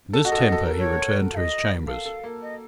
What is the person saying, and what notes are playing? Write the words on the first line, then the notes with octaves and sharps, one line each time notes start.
In this temper he returned to his chambers.
A4
F#4 D#5
A4
F#4
A4
A#4
C#5
F5
D#5
A4 F5
A4
A#3
D#5